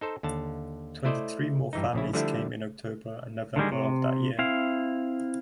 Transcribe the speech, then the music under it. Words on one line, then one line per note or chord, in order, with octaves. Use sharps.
Twenty-three more families came in October and November of that year.
D#4 A4 C5
D#2 D3 A5
A3 E4 C5 D5 D#5
G2 E3 D#4
A#1 C#3 E4
D3 F3 G3 A3 D4 E4
D3 D#3 G3 G#3
C3
C4 E4 F5